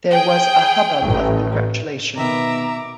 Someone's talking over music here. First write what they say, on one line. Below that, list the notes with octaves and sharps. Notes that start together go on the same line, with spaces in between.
There was a hubbub of congratulation.
G#4 G5
A1
B2 D#3 B3 E5 A#5 D6